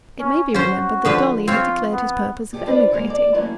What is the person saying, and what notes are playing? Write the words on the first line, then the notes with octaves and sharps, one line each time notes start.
It may be remembered that Dolly had declared his purpose of emigrating.
C#4
C#4 F#4 C5
D3 F3 B4
C4 F4 C#5
B3
G2 A#2 F3 G4 G#4
D4 F4 B4 C5 D5
D2 F#3 G#3 A#3 F5
A4 D5
E3 F#3 A3 A#3 C#4 E4